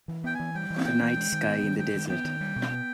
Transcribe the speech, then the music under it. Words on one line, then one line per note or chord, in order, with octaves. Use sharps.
The night sky in the desert.
E3
B3 G5
G#5
E3
G3 G5
E3
B3 G5
E3
G#3
D#3
B3
D#3
G#3 G5
D#3
B3 G5
D#3
G3
B2
B3